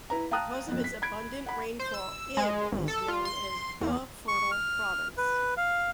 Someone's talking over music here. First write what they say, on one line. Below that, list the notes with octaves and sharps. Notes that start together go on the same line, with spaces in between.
Because of its abundant rainfall, Ibb is known as "the fertile province".
E4 B4 A#5
F5 G5 A5 A#5 D#6 F#6
G1 F2
B6
B5 G#6 D7
F#5 B5
C5
E6
G#3
G#1
A4
F4
C6
E2
C#6
F6
B4
F5